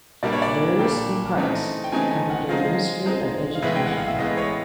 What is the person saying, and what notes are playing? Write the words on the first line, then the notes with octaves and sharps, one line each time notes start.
Various departs come under ministry of education.
A#2 G3 A#3 D4 D5
C#5
D5
A#2 G3 A#3 D4 G5
C#3 E3 A3 C4 D#4
G5
C#3 E3 A3 C4 D#4 G#5
G#5
F#5
F3 G#3 C4 D#4 F5
F3 G#3 C4 D#4
F5
A2 E3 G#3 B3 E5
G5
F#5
F5
E5
A2 E3 G#3 B3 D#5
C#5